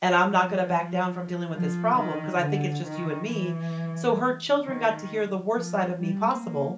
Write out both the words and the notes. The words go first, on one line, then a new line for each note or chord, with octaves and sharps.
and I'm not gonna back down from dealing with this problem, 'cause I think it's just you and me," so her children got to hear the worst side of me possible
F3
F3
D#3
D3
D#3
E3
D#3
F3
G3
A#3